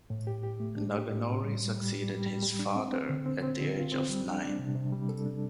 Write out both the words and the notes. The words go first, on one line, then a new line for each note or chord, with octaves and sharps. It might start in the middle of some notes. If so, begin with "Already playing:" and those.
Naganori succeeded his father at the age of nine.
A2
G4
G4
A3
D4
G4
A2
A2
G3
G3
G3
G4
G3
G3
G3
D4
C4
C4
D3
C4
C4
D3
F4
C4
G3
D4
D4
C3
C3
G3
A4
D4